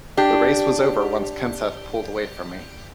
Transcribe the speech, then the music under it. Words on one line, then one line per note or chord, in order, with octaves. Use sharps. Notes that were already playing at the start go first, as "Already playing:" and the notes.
The race was over once Kenseth pulled away from me.
D4 G4